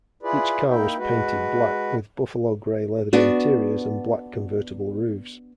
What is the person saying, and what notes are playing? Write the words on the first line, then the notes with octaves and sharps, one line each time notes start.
Each car was painted black, with buffalo grey leather interiors and black convertible roofs.
E4 F4 G#4 B4 D5
A#3 D#4 E4 E5 G5
G#3 F#4 B4
B3 D4 F#4